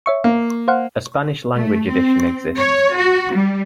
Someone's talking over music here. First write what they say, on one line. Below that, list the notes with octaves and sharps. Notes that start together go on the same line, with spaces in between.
A Spanish language edition exists.
C#5 E5 C#6
A#3 F5
C5 F5 F#5
A3
C4
C#5
F#4
G3